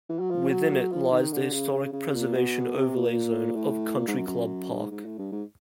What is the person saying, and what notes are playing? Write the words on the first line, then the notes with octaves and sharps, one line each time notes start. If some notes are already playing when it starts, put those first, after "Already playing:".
Within it lies the Historic Preservation Overlay Zone of Country Club Park.
E3
F#3
F3
F#3
F#3
F3
D#3
D3
C#3
C#3
C#3
A#2
B2
C3
A#2
A2
A#2
G#2
F#2
F#2
G2
G#2
G#2
A2
G2
G#2